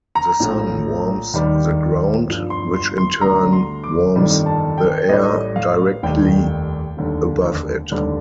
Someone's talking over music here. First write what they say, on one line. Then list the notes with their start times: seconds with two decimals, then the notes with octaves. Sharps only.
The Sun warms the ground, which in turn warms the air directly above it.
0.15 A#5
0.40 A#1 A2 F3
1.33 D#2 D#3 G3
2.27 G1 G2 F3
2.50 C6
2.74 C6
2.98 C6
3.21 D2 D3 G3 A#5
3.53 C6
3.84 D6
4.16 G1 F2 C3 D#3 G3
4.46 A5
4.78 G5
5.09 A1 A2 G3 D#5
5.56 F5
6.03 F1 D#2 D#3 G3 G5
6.97 F1 D#2 D3
7.91 F1 D#2 D3 G3